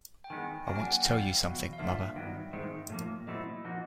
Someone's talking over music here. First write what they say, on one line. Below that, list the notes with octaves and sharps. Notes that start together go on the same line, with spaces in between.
I want to tell you something, mother.
G5
D#3 G#3 B3 G#5
C#3 F#3 A#3 D4 G#5
G5
F#5
G5
F2 D3 G3 B3 F5
E2 B2 F#3
F5
G2 D3 F3 A#3 E5
G2 D#3 F#3 B3
G#2 D#3 G#3 C4
A2 F3 A#3
A#2 F#3 A3 C4 E4 D#5
F3 A#3 D#4 F#4